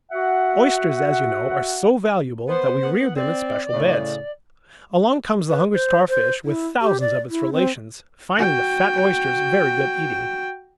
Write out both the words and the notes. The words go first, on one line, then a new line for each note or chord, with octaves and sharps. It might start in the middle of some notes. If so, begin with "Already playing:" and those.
Oysters, as you know, are so valuable that we rear them in special "beds." Along comes the hungry Starfish, with thousands of its relations, finding the fat oysters very good eating.
F#4 E5 F#5
B3 C5
B3 F#5
C4 D5
A2 C#3
B4
C5
C5
E4
G4
D5
E4
C4
F#4 G5